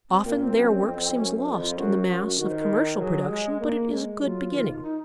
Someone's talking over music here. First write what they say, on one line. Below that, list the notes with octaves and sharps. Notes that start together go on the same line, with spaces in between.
Often their work seems lost in the mass of commercial production, but it is a good beginning.
C4
A#2 A#3
C4
F#2
F2
F#2 C#4
F2 F4
F4
F#2 F#4
F#2
D#3 F#4
C5
A#4
A#4
F#3 G#4
G#3
A#3
G#3
F#3 F4
D#3
D#4